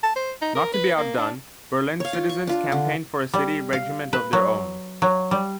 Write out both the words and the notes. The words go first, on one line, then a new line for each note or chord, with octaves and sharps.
Not to be outdone, Berlin's citizens campaigned for a city regiment of their own.
A5
C5
D#4
A#4
B4
A#3
D4
C#5 F5
F4
C#6
D4 F4
D3
G3
F5
B4
F#3
F#3
G3